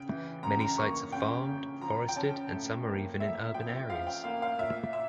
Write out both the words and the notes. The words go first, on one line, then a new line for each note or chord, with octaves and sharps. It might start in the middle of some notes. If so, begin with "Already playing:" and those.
Many sites are farmed, forested and some are even in urban areas.
Already playing: C#3 G5
E3
C#3 A#5
A#5
A#3 C#6
C#3 G5
C#3
F3 A#5
G5
C#4 A5
A2
A#3
A2 E5
F3 G5
F3 F5
G5
A#3 F5
F5
A#2 E5
E5